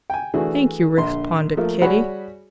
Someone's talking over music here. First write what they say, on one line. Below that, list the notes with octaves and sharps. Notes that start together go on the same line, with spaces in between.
"Thank you," responded Kitty.
G5 G#5
E3 A3 D4 F#4 G#4
A#1 D3 C6
F3 A3 A#3
G3 F#4 G#4 C#5 F#5 B5